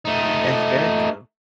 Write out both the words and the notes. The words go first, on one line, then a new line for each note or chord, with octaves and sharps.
That's very true.
A3 D#4